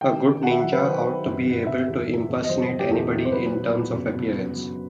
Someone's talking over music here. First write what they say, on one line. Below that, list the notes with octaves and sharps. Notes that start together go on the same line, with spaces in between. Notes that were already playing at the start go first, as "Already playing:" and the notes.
A good ninja ought to be able to impersonate anybody in terms of appearance.
D#3 G5
D#3
D#3 F#5
E5
F#3 F#5
B4
D#3 C5
D#3
F#2
G1
C3 E5
E2
C3
E2
D#5
F#3 C5
C3
G4
E2 A4
E2
C5
F#3 B4
B2
B2
F#1
B2
B2
F#3